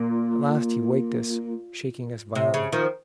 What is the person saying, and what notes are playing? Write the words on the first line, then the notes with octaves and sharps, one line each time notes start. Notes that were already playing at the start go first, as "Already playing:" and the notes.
At last he waked us, shaking us violently.
Already playing: A#2
C3
C#3
D#3 F3